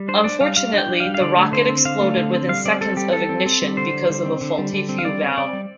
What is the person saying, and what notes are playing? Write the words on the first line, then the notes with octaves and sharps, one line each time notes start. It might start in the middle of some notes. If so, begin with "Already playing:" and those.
Unfortunately, the rocket exploded within seconds of ignition because of a faulty fuel valve.
Already playing: G3
D4 C5
D4 D5
G3 F5
G3 F5
D4 G5
D4
F5
G3
F5
D3 D5
A3
D3 C5
C4
D3 F5
A3
D3
C4
G3 F5
C4 D5
C4 A4
G3 G4
G3 A4
C4
C4
G3
D3 C5
G3
D3
C4
D3
G3
D3
C4
F5
G3 D5
C4
C4 D5
G3